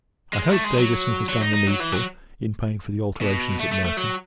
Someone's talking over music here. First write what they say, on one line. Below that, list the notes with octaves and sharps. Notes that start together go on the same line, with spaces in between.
I hope, Davison has done the needful, in paying for the alterations at Merton.
G#3
A3
G#3
F#3
F#3
D#4
D#4
F#3
E3
F#3
B2
A3
A3
A3
F#3